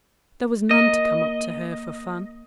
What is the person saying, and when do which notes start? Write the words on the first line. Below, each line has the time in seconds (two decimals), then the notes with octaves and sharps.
There was none to come up to her for fun.
0.71 A#3 A#4 D#5